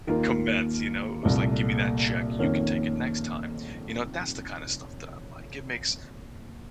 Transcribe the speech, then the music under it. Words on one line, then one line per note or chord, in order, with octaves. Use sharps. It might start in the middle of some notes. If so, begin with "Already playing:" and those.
commence, you know? It was like, "Give me that check, you can take it next time," you know, that's the kinda stuff that I like, it makes
D#2 D#3 A#3 F4 A#4
C2 A#2 A3
F2 D#3 A#3 C#4